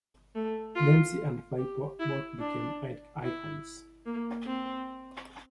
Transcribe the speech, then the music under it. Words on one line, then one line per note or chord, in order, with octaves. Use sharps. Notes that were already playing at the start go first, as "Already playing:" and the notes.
Dempsey and Firpo both became icons.
A3
F4
G4
E4
D4
E4
A#3
C4